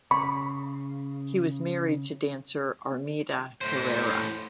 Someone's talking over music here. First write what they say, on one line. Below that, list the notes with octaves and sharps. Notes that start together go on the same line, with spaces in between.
He was married to dancer Armida Herrera.
C#3 B5 C#6
A2 C5